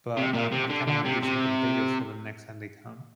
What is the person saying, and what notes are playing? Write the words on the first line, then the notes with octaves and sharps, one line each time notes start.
but, um, I kinda wanna do something bigger for them next time they come.
C3
A#2
C3
D3
D3
C3
C3